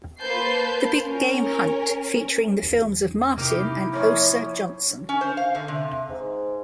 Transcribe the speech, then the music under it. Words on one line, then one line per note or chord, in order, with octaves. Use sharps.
"The Big Game Hunt" featuring the films of Martin and Osa Johnson.
A#3 B4 C5 A5 G6 C7
C#4 A#4
E2
C3 A#3 D#4 E4 G4
F3 A#3 C#5
C#4
C5
F5
D3
C3
G#2